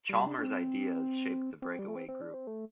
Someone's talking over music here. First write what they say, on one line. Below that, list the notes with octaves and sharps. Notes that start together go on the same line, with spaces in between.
Chalmers' ideas shaped the breakaway group.
G3
D4
D4
C4
C4
G3
A3
C4
C4
D4
C4
A3